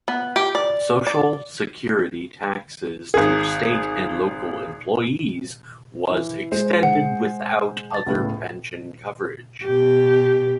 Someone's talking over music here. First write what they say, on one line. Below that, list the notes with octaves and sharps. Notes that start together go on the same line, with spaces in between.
Social security taxes to state and local employees was extended without other pension coverage.
B3
G4
D5
D5
G#1 G#4
E3
G#3 C5
F#5
A5 A6
C#2 A2 B3
B2 G4